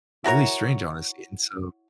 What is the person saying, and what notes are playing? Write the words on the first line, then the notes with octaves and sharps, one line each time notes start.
really strange, honestly, and so
E4 F#4 A#4 C#5